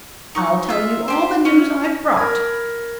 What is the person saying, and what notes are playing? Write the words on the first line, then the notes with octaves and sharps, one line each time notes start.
I'll tell you all the news I've brought.
D#4 C#6
F4 E5
D4 G4 C5
C#4
A#4 B5 G#6